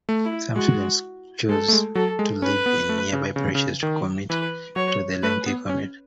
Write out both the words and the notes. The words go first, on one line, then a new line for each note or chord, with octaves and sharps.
Some students chose to live in nearby parishes or commit to the lengthy commute.
A3
E4
G#3 F#4
G#3 A4
A3
G#3
F#3 A4
G#3
C#4 B4
B3
A3
C#3
C#3
C#3
D#3
E3 B4
F#3 C#5
A3 B4
B3
C#4